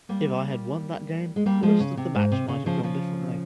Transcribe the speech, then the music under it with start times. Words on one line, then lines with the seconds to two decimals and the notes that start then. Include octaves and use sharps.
If I had won that game, the rest of the match might have gone differently.
0.09 G3 A#3
1.36 G#3
1.46 G3 A#3
1.63 F3 G#3
1.80 C#3
1.97 C3
2.15 G#2
2.32 C3
2.48 C#3
2.66 C#3 F3
2.83 C#3 F3